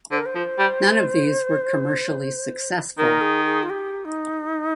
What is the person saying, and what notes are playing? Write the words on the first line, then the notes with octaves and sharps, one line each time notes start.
None of these were commercially successful.
D3 C5
A#4
C5
F3
G3
D#3 A#4
G#4
G#4
F4
G4
D#4